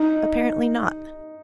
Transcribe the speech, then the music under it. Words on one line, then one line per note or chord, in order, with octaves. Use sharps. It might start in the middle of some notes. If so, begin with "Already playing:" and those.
Apparently not.
Already playing: D#4